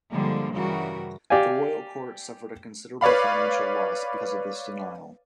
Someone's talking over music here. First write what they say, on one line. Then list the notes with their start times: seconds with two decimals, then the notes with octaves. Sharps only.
The Royal Court suffered a considerable financial loss because of this denial.
0.11 G2 D3 F3 G3 G#3 A#3
0.53 C#3 E3 G3 F#4 A#4
1.30 G4 D5 F5 G#5
3.01 B4 C#5 D5 F5 B5